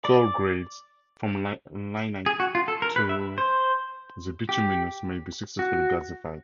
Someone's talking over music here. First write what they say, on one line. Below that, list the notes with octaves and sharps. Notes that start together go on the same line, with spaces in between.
Coal grades from lignite through to bituminous may be successfully gasified.
D5
G#4
F#4
F4
A4
A#4
B4
E5
C5
G4
F#4